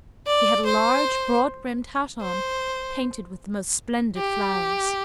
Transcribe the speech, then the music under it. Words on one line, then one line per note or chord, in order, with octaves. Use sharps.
She had a large broad-brimmed hat on, painted with the most splendid flowers.
D5
C5
C5
G4